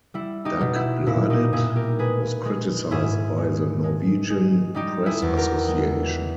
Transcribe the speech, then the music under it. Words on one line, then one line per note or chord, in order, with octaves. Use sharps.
"Dagbladet" was criticized by the Norwegian Press Association.
G3 E4
D#4 G4
B2
E4
A#2 E4
D#4 G4
A#2 E4 G#4
G4 A#4
G#3 G#4 B4
G#3
G#2 E4 G#4
G#3
G#3
G#3
G3 D#4 G4
E4 G#4
E2
G4 A#4
G#3